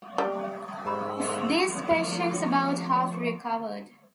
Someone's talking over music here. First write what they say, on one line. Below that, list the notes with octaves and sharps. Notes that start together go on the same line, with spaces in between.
Of these patients about half recovered.
G3
G#2 G4 A#5 B5 E6
F3 A3 F5